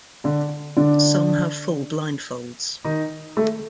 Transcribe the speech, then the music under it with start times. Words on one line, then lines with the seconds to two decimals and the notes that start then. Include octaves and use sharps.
Some have full blindfolds.
0.24 D3 D4
0.77 D3 D4
2.84 D#3 D#4
3.37 A3 A4